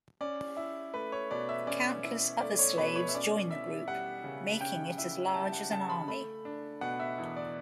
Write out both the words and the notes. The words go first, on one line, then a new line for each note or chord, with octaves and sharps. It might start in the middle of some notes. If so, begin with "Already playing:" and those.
Countless other slaves join the group, making it as large as an army.
C#4 D5
E4
A3 B4
C#5
B2 D5
E5
C#4 D5
E4
A3 D5
C#5
B2 B4
C#5
E5
C#4 D5
E4 E5
G3 F#5
C#3
C#4 G5
E4
G3 A5
F#5
C#3 A5
B5
A3 B5
D4
B2 F#5
E5
E2
D5